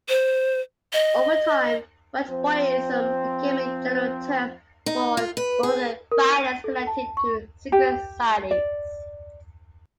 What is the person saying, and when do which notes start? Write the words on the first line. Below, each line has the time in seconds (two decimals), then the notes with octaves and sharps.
Over time, "Whiteboyism" became a general term for rural violence connected to secret societies.
0.09 C5
0.93 D#5
2.29 F3 C4
4.86 D#4
5.17 F4
5.37 B4
5.63 G#4
6.12 A#4
6.33 D#7
6.64 A4
6.87 A5
7.17 C#6
7.72 G4
8.51 D5